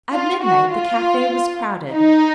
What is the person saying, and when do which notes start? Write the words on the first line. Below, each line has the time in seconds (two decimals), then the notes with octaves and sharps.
At midnight the cafe was crowded.
0.13 F4
0.43 F#4
0.72 F4
1.93 D#4